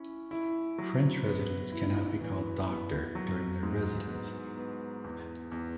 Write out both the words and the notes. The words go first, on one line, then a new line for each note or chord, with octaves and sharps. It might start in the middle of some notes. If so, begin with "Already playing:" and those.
French Residents cannot be called "Doctor" during their residency.
Already playing: C#4 E4
E4
F#3
B3
E4
E3
B3
F#3
G#2
B3
B3
E2
E2